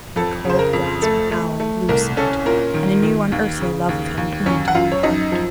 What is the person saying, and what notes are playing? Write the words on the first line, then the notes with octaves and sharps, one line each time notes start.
My cold grasp of Allan loosened and a new unearthly love of him bloomed in my heart.
F2 A4
C#3 C5
A#4
F2
A3 A4
A3
A3
C2 A#4
C#4 A4
A#2 A#4
D#3
D#3
D#2
C#3
D#2
D#2
F#2 C#4 C#5
F#5
F#2 F4 F5
C#5
F#2 D#4 D#5
F3